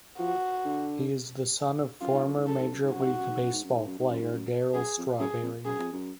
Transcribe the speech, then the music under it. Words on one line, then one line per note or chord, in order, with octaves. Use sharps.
He is the son of former Major League Baseball player Darryl Strawberry.
F3 F#4
D3
F#2 F4
G#2
F#2
G#2
F#2 A4
G#2
F#2
G#2
F#2 F#4
G#2
F#2
G#2
F#2
G#2
F#2
G#2
F#2
G#2
F#2
G#2
F#2
F#2 G#4
F2
F#2 G#4
F2
F#2 G#4
F2
F#2